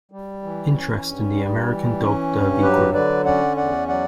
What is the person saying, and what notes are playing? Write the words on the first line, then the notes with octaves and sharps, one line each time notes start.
Interest in the American Dog Derby grew.
G3
E3
C#4
G2
G3
E3
C#4
G2
F#3 G4 B4
D3 B4 D5
C#4 D5 F#5
E2 D5 F#5
F#3 D5 F#5